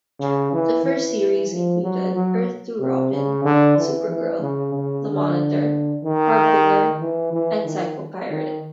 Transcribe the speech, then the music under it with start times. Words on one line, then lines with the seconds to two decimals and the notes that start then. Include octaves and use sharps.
The first series included Earth-Two Robin, Supergirl, the Monitor, Harbinger and Psycho-Pirate.
0.20 C#3
0.53 E3
0.86 E3
1.49 F3
1.82 F#3
2.15 F#3
2.79 C3
3.12 C#3
3.45 D3
3.77 E3
4.09 E3
4.41 C#3
4.75 C#3
5.07 D3
6.04 D#3
7.00 E3
7.33 E3
7.66 D#3
8.30 D#3